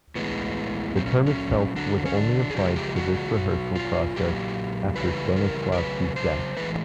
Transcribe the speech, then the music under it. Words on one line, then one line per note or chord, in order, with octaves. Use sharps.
The term itself was only applied to this rehearsal process after Stanislavski's death.
A2 E3 G#3 B3
A#2 F#3 C4
C#4
C#4
D3 F#3 D4
C#4
D4
G#4
C#3 F3 G#3 G4
G4
F#4
B2 F#3
F4
A#2 F#3 G4
C#3 E3 G3 B4
A#4
A#4
C#3 F#3 B4
C5
A2 E3 G#3 B4